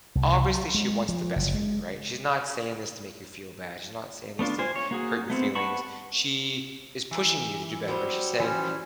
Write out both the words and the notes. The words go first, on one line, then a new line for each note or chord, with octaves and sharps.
obviously she wants the best for you, right? She's not saying this to make you feel bad. She's not saying this to hurt your feelings. She is pushing you to do better, right? She's saying
C2
F#3
G#3
F3
F#1
G#3
A3 B3 D4 F4
F4 C5 G#5
C#5
A#3 F#4 G#4
A3 B3 C4
B4 F#5 A5 B5 C#6
E3
F#3 G3 C4
E3 F3 C#4